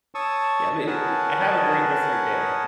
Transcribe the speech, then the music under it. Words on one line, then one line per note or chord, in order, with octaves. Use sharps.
Yeah, but it g have a great rest of your day.
C#5 A5 C#6 D#6 E6
G#4 A#4 B4 C#5 F#5 A5